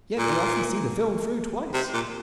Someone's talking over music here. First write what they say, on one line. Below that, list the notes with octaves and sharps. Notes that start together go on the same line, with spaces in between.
Yet they often see the film through twice.
A#2
C3
A#2